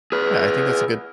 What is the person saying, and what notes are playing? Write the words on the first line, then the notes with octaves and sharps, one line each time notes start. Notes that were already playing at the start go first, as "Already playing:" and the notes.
Yeah, I think that's a good
G#4 B4